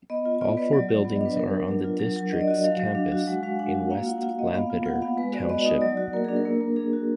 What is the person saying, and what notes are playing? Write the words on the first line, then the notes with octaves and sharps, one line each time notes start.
All four buildings are on the district's campus in West Lampeter Township.
B3 D#5
F4
F4 D5
B3 B4
F#3 D5
F4
B3
D#5
D4 B4
F#3 A#4
F#3
D4
F4
F#3
F#3
D4 D#5
D5
F#4 D#5
F#3 F5
F#3
D4
F#4
G#3 F#5
G#3 F5
D4 F#5
F#4
A#3 F5
F4 F#5
F#5
F4 F5
A#3 D#5
B3 F5
F4
F4 F#5
B3 F5
G#3 B4
F#4 D5
B3 D#5
D5
D#4 D#5
F#3 D5
F#4
A#3 A#4
D4 G#4
A#4
A#3
A#3
D4 G#4
F#4